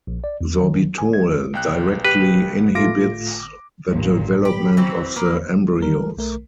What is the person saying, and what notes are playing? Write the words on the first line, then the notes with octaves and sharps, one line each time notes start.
Sorbitol directly inhibits the development of the embryos.
A#1
D5
E2
D#3
G#5
G#6
B1 G5 F#6
G4 B4
A2 A3 F4 D6 A#6 D7
A1 G2 A#2
G4 B5
E3 F#3 C4
A#3 A#4 B4
E3 G3 A#4
B1 A3 A#4